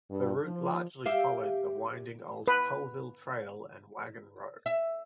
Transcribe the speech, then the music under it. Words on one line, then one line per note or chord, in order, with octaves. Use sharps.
The route largely followed the winding old Colville trail and wagon road.
G2
F3
G4 E5 F5
B4
E5